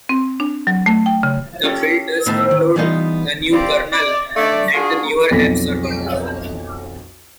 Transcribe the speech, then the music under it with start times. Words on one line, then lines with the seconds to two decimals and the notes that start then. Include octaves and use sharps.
The build does include the new kernel and the newer AppServer.
0.09 C4
0.40 D4
0.67 F#3
0.86 A3
1.06 G5
1.23 C#3
1.64 C#4 F4 G4 A4
2.26 A2 D#3 B3 A5
2.51 D#3
2.76 E3 G3 B3 D#4 F4
3.52 G3 A#3 C4 F4 G4 D5
3.92 D5
4.36 A3 D4 D5
4.74 D4 F4 F#4 G#4
5.31 B1 F2 A4 A#6 B6